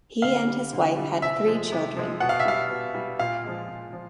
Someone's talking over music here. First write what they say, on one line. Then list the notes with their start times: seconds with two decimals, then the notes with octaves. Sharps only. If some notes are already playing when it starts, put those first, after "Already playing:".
He and his wife had three children.
0.22 D3 F5
0.47 G3
0.73 D3
0.97 G3
1.22 C3 E5
1.46 F3 G#3
1.72 C3
1.96 F3 G#3
2.20 B2 F#5
2.29 F5
2.40 E5
2.45 G3 F5
2.71 B2
2.94 G3
3.19 A#2 F5
3.44 F3 G#3
3.69 A#2
3.93 F3